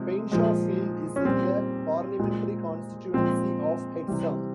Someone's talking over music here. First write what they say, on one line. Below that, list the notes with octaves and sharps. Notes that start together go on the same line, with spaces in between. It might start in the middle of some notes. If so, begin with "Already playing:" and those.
Painshawfield is in the parliamentary constituency of Hexham.
Already playing: C3 F3 G#3
A#2 F3 G#3
C#4
A#2 G3 C4
A#2 G#3
A#2 F3 G#3 C4
C3 E3 G3